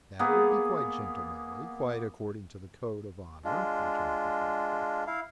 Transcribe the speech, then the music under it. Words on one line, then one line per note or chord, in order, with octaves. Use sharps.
"That would be quite gentlemanly, quite according to the code of honour," returned the friend, quietly.
A#3 B3 G#4
G#3 D4 F4
E4 F5